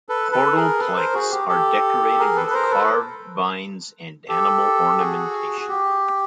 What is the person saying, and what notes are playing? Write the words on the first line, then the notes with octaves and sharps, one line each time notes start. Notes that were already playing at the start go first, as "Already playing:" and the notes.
Portal planks are decorated with carved vines and animal ornamentation.
A4 B4
A4 B4
G#4 A#4
A4 B4
A#4 C5
F#4 G#4
G4
G4 A4
G#4 A#4
A4 B4
B4
A#4 C5
A4 B4
G4 A4
F#4 G#4
G#4
G4